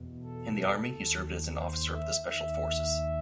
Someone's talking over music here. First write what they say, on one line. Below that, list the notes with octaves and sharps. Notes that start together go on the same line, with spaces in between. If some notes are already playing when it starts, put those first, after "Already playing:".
In the Army he served as an officer in the special forces.
Already playing: E2 B2
A4
D#2 D#3
C5
E5
D#2 D#3 E5